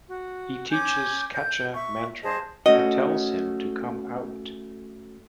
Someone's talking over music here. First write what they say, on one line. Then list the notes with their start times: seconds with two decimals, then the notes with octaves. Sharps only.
He teaches Kacha Mantra and tells him to come out.
0.08 F#4
0.71 C#4 G#5 D6 G6
1.33 G6
1.74 E5 C#6
2.22 G#4 C5 D#5 A5
2.66 A3 C#4 F#4 D#5